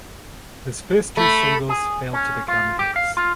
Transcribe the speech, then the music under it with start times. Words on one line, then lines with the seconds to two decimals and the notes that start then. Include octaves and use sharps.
His first two singles failed to become hits.
1.17 A3 B5
1.69 G#4
2.13 C#4
2.48 F4
2.79 G4
2.96 F5
3.17 F4